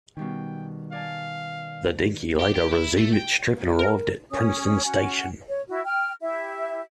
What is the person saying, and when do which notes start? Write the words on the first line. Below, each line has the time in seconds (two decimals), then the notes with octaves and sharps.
The Dinky later resumed its trip and arrived at Princeton station.
0.17 B2 D#3 G3 C#4 G5
0.92 D5 F5 G#5 A5
2.40 G4
2.54 G4
2.73 E4
2.97 A3
3.13 G5
3.79 A#4
4.31 C#4 C#5 D#6
4.84 C#4 F#4 F#5 G#5
5.49 C#5
5.69 E4 F#4
5.85 G5 F6
6.21 E4 G4 E5